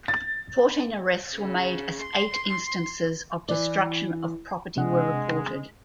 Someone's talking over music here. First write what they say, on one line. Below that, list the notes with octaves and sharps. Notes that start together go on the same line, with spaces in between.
Fourteen arrests were made as eight instances of destruction of property were reported.
A6
C#3
C6
E3 D5
C3 G#3 D4 F#5